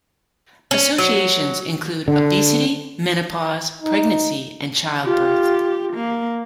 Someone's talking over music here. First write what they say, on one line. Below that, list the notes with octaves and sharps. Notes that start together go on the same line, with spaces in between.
Associations include obesity, menopause, pregnancy and childbirth.
C#4
F#3
D3
D#4
F4 G4
A#3